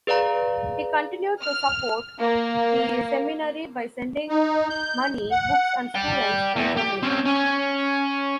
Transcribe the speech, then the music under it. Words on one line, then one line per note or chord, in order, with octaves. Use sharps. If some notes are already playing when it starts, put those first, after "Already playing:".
He continued to support the seminary by sending money, books, and students from Germany.
G#4 B4 D5 F5 A#5
F6
A#3
D#4
G6
F#5
D5 G5
E2
G4
C4 C#4
C#4